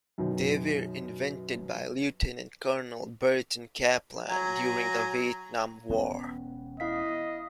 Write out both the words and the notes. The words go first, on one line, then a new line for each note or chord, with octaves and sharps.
They were invented by Lieutenant Colonel Burton Kaplan during the Vietnam War.
F#2 B2 D#3
F#3 G#5 A#5
E1 B3 C#4
E4 D#5 F5 B6